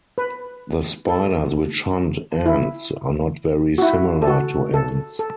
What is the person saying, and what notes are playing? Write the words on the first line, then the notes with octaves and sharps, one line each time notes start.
The spiders which hunt ants are not very similar to ants.
B4
A4
E4
F#4
E4
A4
F#4
A4
A4